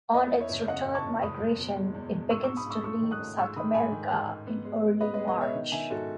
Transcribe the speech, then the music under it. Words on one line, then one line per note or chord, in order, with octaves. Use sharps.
On its return migration it begins to leave South America in early March.
E2 B4 D#5
E2
C#5 E5
F#1
C#3 D#5 F#5
F#1
A5 C#6
F#1
F#1 B5 D#6
F#1
B2
G#3
E2
B2
G#2 C#6 E6
C#6 E6
G#2
B5 D#6
G#2 C#6 E6
A3 C#6 E6
D#3
D#6 F#6
A3
G#2 C#6 E6
D#3 B5 D#6
G#2 G#5 B5
D#3
G#2
G#2
B3
G#3
G#3
B3 B4 D#5
B4 D#5
G#3
B4 D#5
B2 C#5 E5
D#3
D#3 E5 G#5
G#2 F#4 A4